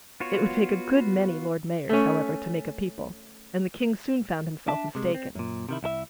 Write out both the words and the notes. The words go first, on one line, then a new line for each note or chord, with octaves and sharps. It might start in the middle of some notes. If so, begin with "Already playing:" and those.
It would take a good many Lord Mayors, however, to make a people, and the King soon found himself mistaken.
B3 F4 F#4 C#5
A3 C#4
D4 E5 A5
C3 G#3
C4
F#2 A#2
C3 D#3 E4
C2 E4 A4 E5